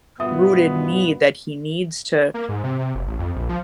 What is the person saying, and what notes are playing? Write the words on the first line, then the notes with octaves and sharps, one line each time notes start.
rooted need that he needs to
G2 B2 B3 F4 E5 D#6
A#3
G#2
C3
C3
F#1
A1
F2
A#1
F3